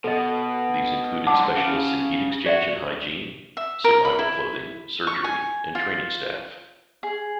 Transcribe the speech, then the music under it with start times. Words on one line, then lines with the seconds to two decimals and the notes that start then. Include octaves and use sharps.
These included specialists in heat exchange and hygiene, survival clothing, surgery, and training staff.
0.04 B2 A4 D#5
1.27 G#2 D3 F#5 A5 D6
1.57 C#3 F5
2.46 F#4 D5 E5
3.57 E5
3.84 A#4
4.05 B5
4.19 E4
5.07 C#6
5.24 G#5
5.75 F4
7.03 G#4